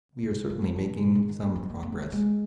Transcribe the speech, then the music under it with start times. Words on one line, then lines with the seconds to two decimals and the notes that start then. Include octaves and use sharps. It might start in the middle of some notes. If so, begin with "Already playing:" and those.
We are certainly making some progress.
0.23 C#3
0.30 A#2
0.36 G#2
0.50 F3
0.62 F3
0.76 D#3
0.89 C#3
1.03 A#2
1.15 G#2
1.29 D#3
1.42 A#3
1.56 C4
1.70 A#3
1.83 A#3
1.92 G#3
2.03 F#3
2.12 G#3